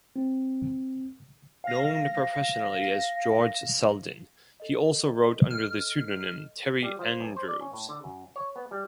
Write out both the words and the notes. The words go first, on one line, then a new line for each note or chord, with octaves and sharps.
Known professionally as George Selden, he also wrote under the pseudonym Terry Andrews.
C4
F5 A#6
A4 D#5
F6
G3
F3
B1
C5
D5
C#4
A2
D3
F#2
C#5
B3
G3